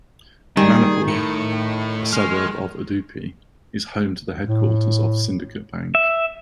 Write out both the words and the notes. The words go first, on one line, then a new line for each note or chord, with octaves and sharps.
Manipal, a suburb of Udupi, is home to the headquarters of Syndicate Bank.
D#3 G3 G#4
A2 C#7
G#3 F6
A2
E5